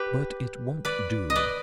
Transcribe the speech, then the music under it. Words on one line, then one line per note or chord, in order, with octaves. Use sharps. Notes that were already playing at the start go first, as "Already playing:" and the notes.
'But it won't do.
Already playing: G4 B4
B4 D5
D#5
B4 D5